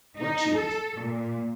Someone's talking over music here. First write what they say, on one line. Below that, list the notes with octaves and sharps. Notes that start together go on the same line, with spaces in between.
"What cheese?"
D#4
A4
A#2